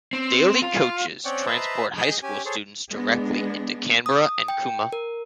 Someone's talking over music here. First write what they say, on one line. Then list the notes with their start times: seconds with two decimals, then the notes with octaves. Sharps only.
Daily coaches transport high school students directly into Canberra and Cooma.
0.13 C4
0.62 F4
1.25 C4 C#4 C#5 D5 F#5 G5
1.47 B4 C5 D#5 E5 A5 A#5
1.97 G#4 D#5 G6
2.23 C#4 G4 G#5
2.45 G#4 A4 C5 C#5
2.92 G#3 B3 D4
4.06 D#6
4.48 G5
4.93 A#4